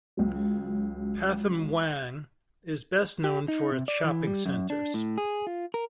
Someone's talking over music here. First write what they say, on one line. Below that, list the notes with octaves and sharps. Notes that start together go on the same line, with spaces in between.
Pathum Wan is best known for its shopping centers.
C#2 F#3
G4
D#4
C3
D5
E3
G3
F#2
D4
A2
G#4
F4
A#4